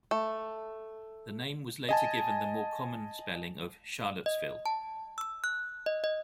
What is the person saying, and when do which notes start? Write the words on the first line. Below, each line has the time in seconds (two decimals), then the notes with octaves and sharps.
The name was later given the more common spelling of Charlottesville.
0.11 A3
1.89 D#5 G#5 A5
4.26 D#5
4.66 A5
5.18 E6
5.44 F#6
5.86 D#5
6.04 D#5